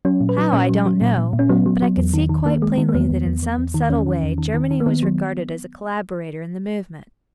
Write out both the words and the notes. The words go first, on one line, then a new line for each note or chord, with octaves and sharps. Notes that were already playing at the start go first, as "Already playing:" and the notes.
How, I don't know, but I could see quite plainly that in some subtle way Germany was regarded as a collaborator in the movement.
F#3 C#4
A#2
B4
F#3
A#2 C#4
F#3
F#3
A#2
A#2
A#2
C#4
F#3 B3
F#3
F#3
E2
D#3
D#3
D#3 A#3
G#3
D#3
A#3
E2 B3
E2
E2
E2
E2
D#3
E2 C#4
D#3
E2
D#3
D#3
D#3
A#3
D#3 B3
F#3